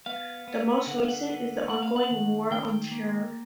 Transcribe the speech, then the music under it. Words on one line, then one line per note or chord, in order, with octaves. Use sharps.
The most recent is the ongoing War on Terror.
B3 F5
B3
D3 F#5
F5
F#5
B3
A#3 F#5
F5
F#5
D#3
D#3 G5
A#3